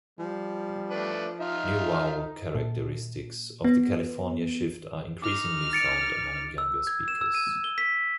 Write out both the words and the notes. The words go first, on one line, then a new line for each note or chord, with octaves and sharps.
New vowel characteristics of the California Shift are increasingly found among younger speakers.
F3 G3
A3 D4 B4
D#4 F4 E5 F6
A#2
B3
D#4 D6 F6
A6 C#7 D7
E6
G#6
E7
E6
D#7
G7
B6